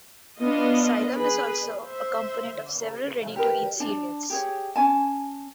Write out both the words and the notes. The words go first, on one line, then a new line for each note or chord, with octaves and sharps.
Psyllium is also a component of several ready-to-eat cereals.
B3 D4 F4 D#5
G#4 B4
C5 E5
G4 A#4 B4
D4 A5
G4 G#4 C#5
C#4 G#5 A5